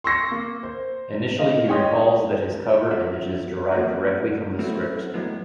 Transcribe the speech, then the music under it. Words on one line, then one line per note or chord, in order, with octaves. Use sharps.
Initially, he recalls that his cover images derived directly from the script.
C6 C#6 E6 A#6 C7 C#7
A#3
C5
D#5 F5
C#5 D#5 G5 G#5 C6 D#6
F4 E5 F#5
A#3 F#4
F#3 A3 C4 C#4 E4 F#4
F#2 A2 F#3 G#3 B3